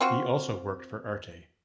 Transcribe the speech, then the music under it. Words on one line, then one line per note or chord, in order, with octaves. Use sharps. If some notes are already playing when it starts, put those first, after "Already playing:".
He also worked for Arte.
C4 F4 F#4